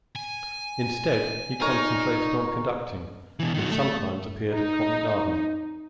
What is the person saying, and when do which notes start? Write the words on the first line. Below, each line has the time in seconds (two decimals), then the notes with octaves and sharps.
Instead he concentrated on conducting, and sometimes appeared at Covent Garden.
0.16 G#5
1.61 D#4 A#4 C#5
3.40 B2 E3
3.54 D#3 F#3
3.71 A3
4.53 D#4